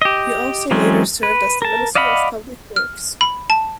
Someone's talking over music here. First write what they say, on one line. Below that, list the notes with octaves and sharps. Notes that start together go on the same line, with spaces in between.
He also later served as the Minister of Public Works.
G4 D#5
E3 F#3 G#3 C4 C#4
B4
A#4 A5
D5 D#5 F5 F#5 B5
F6
B5
A5